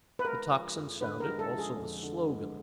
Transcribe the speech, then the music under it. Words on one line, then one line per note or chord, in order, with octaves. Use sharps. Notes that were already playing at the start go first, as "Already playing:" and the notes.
The tocsin sounded, also the slogan.
B4
G#3 A#4
F3
F2
D3 B4
A#4
G#3
A4
F3
G#4
F2
D3
G#3